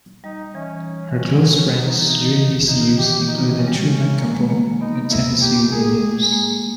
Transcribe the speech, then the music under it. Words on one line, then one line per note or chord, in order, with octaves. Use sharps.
Her close friends during these years included Truman Capote and Tennessee Williams.
G3 D#4
E3 C#4
E3
G3 C#4
E3 D#4
E3
D#3
D#3
E3 D#4
C#3
D#3
E3 G4
D#3 D#4
C#3
E3
D#3 C#4
G3
G#3
A#3
G#3
A#3
B3 D#4
B3
A#3 E4
A#3 G4
A#3
G#3
A#3 G#4
G#3
A#3